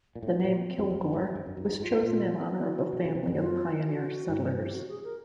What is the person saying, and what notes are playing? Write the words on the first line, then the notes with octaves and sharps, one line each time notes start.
The name Kilgore was chosen in honor of a family of pioneer settlers.
A#2
A2 G#3
A#2 A#3
C4
F2
F2
F#2
G#2
G2
F#2
F#2 D#4
G2
G#2 F4
A2
A#2 F4
F#4
B2
C#3
C3
F#2
F4
F#4
G2
G4
F#4
G#4
A#4